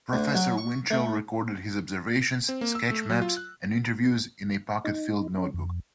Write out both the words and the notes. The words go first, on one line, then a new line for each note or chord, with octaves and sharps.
Professor Winchell recorded his observations, sketch maps, and interviews in a pocket field notebook.
D2
F#3
C#6
A3
C4
A#3
E6
A3
F#3
F4
F#6
D#4
C#4
F2